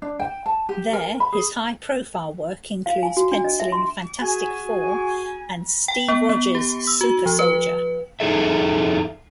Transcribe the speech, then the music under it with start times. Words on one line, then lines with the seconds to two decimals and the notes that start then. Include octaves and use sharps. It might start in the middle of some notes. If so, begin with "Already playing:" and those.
There, his high-profile work includes pencilling "Fantastic Four" and" Steve Rogers: Super-Soldier".
0.02 D4
0.19 G5
0.46 A5
0.69 G4
0.93 A#4
1.20 B5
1.33 G#4
2.86 F5
3.03 G#5
3.17 F#4
3.32 D4
3.44 D#5
3.60 E5
3.72 C6
4.20 F#4 G#4 G#5
5.88 G5
6.08 B3
6.29 B3
6.55 G4
6.87 E6
7.01 F#4
7.26 F3
7.39 B4
8.20 F2 D#4 G#4 A4 E5